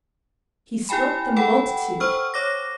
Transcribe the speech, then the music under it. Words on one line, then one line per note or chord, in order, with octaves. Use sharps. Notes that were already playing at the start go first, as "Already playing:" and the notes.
He swept the multitude.
E4 G4 G5 G#5 B5
A4 B4 F#5 G5 B5
C5 C#6 E6 F6
C#5 D6 A#6